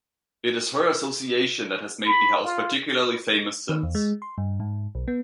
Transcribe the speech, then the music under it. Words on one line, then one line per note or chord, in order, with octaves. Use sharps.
It is her association that has made the house particularly famous since.
B5
F4
D#3
E2
G#3
C6
G2
G#2
B1
B3